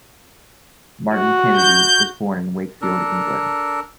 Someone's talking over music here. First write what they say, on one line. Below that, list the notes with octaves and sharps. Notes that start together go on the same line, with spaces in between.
Martin Kennedy was born in Wakefield, England.
F#4
G6
D4 A4 A#4